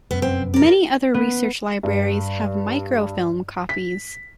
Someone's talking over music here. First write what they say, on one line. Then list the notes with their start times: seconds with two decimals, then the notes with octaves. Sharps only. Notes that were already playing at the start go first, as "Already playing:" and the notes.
Many other research libraries have microfilm copies.
0.11 F1 F#2 B3
0.22 C4
0.54 A#4 D5
1.14 B3
1.83 G2
3.69 B6